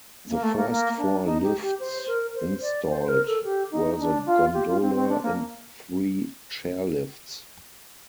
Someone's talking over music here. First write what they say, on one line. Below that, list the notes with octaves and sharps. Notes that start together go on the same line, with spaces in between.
The first four lifts installed were the gondola and three chairlifts.
A#3
A3
A#3
A#3
D4
D#4
G4
G4
C5
A#4
C5
D5
C5
C5
A#4
A4
G4
D#4
D4
F4
G4
F4
C4
C4
D4
A#3